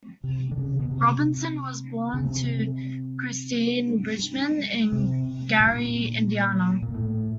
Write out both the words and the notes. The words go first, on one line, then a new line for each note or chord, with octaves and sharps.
Robinson was born to Christine Bridgeman in Gary, Indiana.
C3
D3
C#3
B2
C3
C#3
C3
C3
A#2
A#2
A2